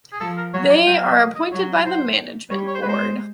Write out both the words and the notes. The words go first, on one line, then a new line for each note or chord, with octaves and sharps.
They are appointed by the Management Board.
G#4
F3 A4
A#4
F#3 C#5
D5
F#3 G5
F5
E5
D#5
D#5
F#3 C#5
C5
G3 C#5
C#5
C5
G#3 B4
C5